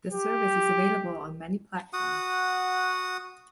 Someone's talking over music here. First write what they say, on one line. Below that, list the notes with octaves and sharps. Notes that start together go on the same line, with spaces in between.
The service is available on many platforms.
G4
F#4 F#5 D#6